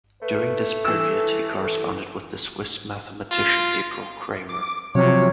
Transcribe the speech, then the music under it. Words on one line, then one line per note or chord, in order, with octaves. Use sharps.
During this period he corresponded with the Swiss mathematician Gabriel Cramer.
A3 B4
E3 A4 E6
F4
D6
C3 F3 F#3 C#5